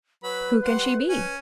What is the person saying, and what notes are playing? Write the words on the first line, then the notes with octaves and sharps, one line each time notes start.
Who can she be?
F#3 B4 B5
G3 F#5 C6
C#4 G#5